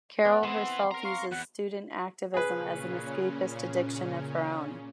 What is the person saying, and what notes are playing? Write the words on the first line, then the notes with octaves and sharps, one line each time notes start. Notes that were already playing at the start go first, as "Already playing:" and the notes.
Carol herself uses student activism as an escapist addiction of her own.
B3 B4 D5
E3 B3 C4 E4 C6
A#4 A#5
F5 C6 C#6
E2 F#5 F#6
A#2 C#3 C#4 G#4 B4